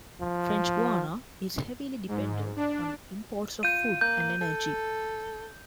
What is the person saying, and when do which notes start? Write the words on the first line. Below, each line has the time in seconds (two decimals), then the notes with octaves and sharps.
French Guiana is heavily dependent on imports of food and energy.
0.21 F3
2.08 G#2
2.56 D4
3.63 F4 G6 D#7
4.01 A#3 G6
4.41 A4